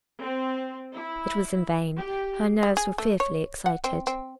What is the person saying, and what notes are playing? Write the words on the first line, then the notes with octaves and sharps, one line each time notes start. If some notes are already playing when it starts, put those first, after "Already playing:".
It was in vain--her nerves were fearfully excited.
C4
E4
G4
G#3
G#4
A3
C#5
F#5
C4
C4